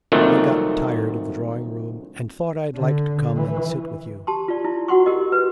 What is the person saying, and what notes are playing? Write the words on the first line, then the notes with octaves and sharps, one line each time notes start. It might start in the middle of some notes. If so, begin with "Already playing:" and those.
I got tired of the drawing- room, and thought I'd like to come and sit with you.
C2 F2 A#2 D#3 F#3 A3
D3
E3
G4 A5 C6
F4 D5
E4
F#4 F#5 C6 C#6
G4 A#4 D#5
B4